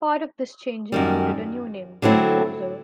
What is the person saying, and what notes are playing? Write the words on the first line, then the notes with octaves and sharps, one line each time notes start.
Part of this change included a new name - "Composer".
F#2 D#3 G3
D3 F#3 A3 C4 E4